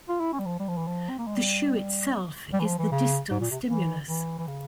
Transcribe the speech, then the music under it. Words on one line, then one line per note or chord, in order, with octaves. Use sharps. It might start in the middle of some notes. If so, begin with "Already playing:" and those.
The shoe itself is the distal stimulus.
F4
E4
C#4
G3
F3
G3
F3
E3
F3
C4
A#3
G#3
G3
G3
E3
F3
E3
C#3
G#2
A#2
C3
E3
E3
E3
C#3